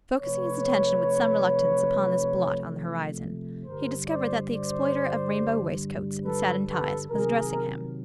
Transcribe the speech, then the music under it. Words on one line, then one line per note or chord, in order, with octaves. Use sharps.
Focusing his attention with some reluctance upon this blot on the horizon, he discovered that the exploiter of rainbow waistcoats and satin ties was addressing him.
C3 F3 A3 B4 C#5
G2 D3 G3 A#4 C5
C5 D5
C5 D5
A4 B4
A4 B4
C3 D#3 F#3 G#4 A#4